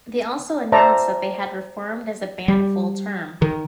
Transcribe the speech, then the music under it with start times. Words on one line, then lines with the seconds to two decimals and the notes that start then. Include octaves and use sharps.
They also announced that they had reformed as a band full term.
0.72 C5 D5 E5 A5 A#5
2.48 G3
3.42 D#3